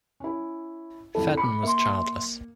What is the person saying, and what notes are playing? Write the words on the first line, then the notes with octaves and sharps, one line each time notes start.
Fedden was childless.
C#4 E4
A1 F2 E4 A4
B5 D6 C#7
A#3 E5 C6